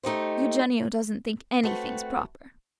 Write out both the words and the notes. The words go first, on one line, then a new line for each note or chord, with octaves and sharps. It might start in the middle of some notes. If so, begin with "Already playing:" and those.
"Eugenio doesn't think anything's proper."
A3 D#4 G4 C5
A3 C4 F#4 B4